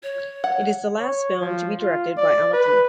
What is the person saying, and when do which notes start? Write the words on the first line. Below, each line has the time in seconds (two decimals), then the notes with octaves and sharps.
It is the last film to be directed by Amateau.
0.03 C#5
0.44 F#5
1.00 C#5
1.41 F3
1.79 F4
2.17 D5
2.53 B4